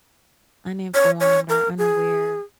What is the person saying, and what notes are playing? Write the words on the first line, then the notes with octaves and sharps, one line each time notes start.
uninformed or unaware
C#5
C#5
A#4
G#4